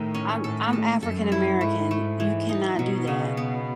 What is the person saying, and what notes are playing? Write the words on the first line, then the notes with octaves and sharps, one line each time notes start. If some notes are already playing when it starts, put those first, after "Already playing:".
I'm I'm African American, you cannot do that.
Already playing: A2 D#3
C#4
A2 A4
A4
F#2 A4
E4
G#2 A3
A3
E3
D#4
B2 F#3
C#3
B3